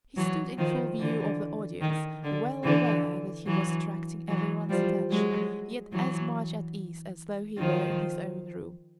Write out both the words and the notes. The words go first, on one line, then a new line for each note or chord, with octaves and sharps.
He stood in full view of the audience, well aware that he was attracting everyone's attention, yet as much at ease as though he were in his own room.
E3 F#3
D#3 F3
D3 E3
D#3
D3
D3 E3
E3 F#3
E3 F#3
F3 G3
F#3 G#3
E3 F#3
D#3 F3